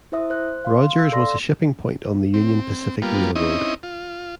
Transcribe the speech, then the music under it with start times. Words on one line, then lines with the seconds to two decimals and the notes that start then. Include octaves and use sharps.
Rogers was a shipping point on the Union Pacific Railroad.
0.12 E4 C5 E5 D#6
0.30 C5 F#6
0.65 F5 C6
0.95 F5 E6
1.12 A4 D5 C6 A#6
2.34 C4
3.02 G3 A#3 B3 F4
3.35 C4 C#4 D#4 E4 D#5
3.83 F4